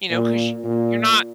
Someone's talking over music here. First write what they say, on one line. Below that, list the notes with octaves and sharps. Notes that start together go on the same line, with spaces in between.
you know, 'cause you're not
A#2
A#2